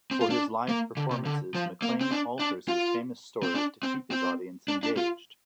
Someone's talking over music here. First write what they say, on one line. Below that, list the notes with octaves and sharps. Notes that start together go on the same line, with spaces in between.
For his live performances, McLean alters his famous stories to keep his audience engaged.
C4
F4
D4
A#3
D3
C3
D3
F3
A#3
C4
D4
D4
F4
C4
D4
C4
C4
D4
D4
F4